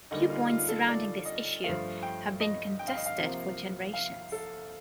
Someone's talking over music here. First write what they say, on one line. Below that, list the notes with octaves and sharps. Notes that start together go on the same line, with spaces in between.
Viewpoints surrounding this issue have been contested for generations.
D2 D3 G3 A#3 D#4
F4
F4
A4
D5
D#5
G2 F3 A3 F5
G5
D#5
G5
F5
D#5
F5
C2 C3 F3 A#3
F5
A4